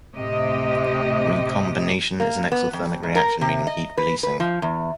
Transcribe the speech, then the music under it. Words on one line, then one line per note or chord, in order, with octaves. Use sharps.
Recombination is an exothermic reaction, meaning heat releasing.
D2 A2 C3 G4 D#5
A#3
B3
F2
G#2
A#4
C3
D#5
B4
B4
F3
E2